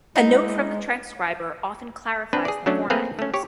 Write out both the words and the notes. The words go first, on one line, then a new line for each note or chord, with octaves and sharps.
A note from the transcriber often clarifies the format used.
G#3 D#4 E4
C4 D4 B4
G#4 D5
F#3 A3 C#4 D4
A3 A#3 C4 G#4 B4 F5
A3 C#4
G4 C#5